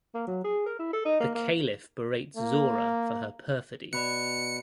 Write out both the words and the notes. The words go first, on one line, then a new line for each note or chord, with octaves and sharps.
The Caliph berates Zora for her perfidy.
A#3
F#3
G#4
A#4
E4
A4
D#4
A#3
A#3
A#3
B2 D5 B5 F#6 C#7